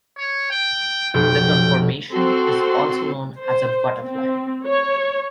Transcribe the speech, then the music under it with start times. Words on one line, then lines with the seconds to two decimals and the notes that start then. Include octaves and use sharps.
The conformation is also known as a "butterfly".
0.17 C#5
0.51 G5
1.14 F1 B1 G5
2.12 C4 F#4 A4 C6
3.41 C5
4.05 C4
4.66 C#5